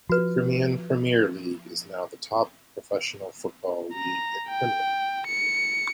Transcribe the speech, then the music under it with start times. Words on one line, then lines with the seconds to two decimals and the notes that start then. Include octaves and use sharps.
The Crimean Premier League is now the top professional football league in Crimea.
0.09 F3 F#4 B4
3.94 A#5
4.49 G5
5.27 C#7